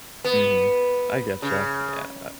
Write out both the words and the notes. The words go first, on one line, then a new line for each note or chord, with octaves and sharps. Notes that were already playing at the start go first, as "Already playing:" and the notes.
Mhm. I get you, yeah I
B3
C#3